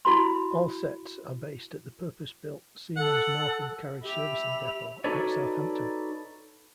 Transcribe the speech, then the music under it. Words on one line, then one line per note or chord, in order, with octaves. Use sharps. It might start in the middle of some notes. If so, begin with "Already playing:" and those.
All sets are based at the purpose-built Siemens Northam Carriage Servicing Depot at Southampton.
E4 F#4 B5 C6
A4 F#5
G4 E5 B5 F7
D#4 F#4 A4 B4 C#5 D5